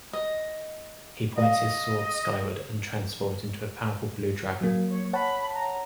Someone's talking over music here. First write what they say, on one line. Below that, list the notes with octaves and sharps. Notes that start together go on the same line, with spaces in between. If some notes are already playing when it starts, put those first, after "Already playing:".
He points his sword skyward and transforms into a powerful blue dragon.
D#5
D5 D#5 F5
F#3 A#3 G#4
C#5
C#5 F#5 A5 B5
A#5